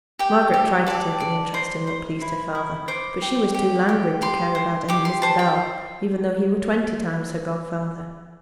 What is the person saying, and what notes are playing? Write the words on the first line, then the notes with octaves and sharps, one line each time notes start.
Margaret tried to take an interest in what pleased her father; but she was too languid to care about any Mr. Bell, even though he were twenty times her godfather.
G4 G5
G4
D5 A5
D5
C5 C6
C5
E4
E4
C5 D6
G4
G4
G4
G4 C6
C5
G4 D6
C6
C5 A5
G5